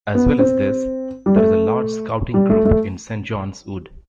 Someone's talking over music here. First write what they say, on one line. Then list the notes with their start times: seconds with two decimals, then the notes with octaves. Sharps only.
As well as this, there is a large Scouting group in Saint Johns Wood.
0.15 B3
0.39 C4
1.26 G3
1.36 A3
2.34 G3
2.50 A3
2.65 A3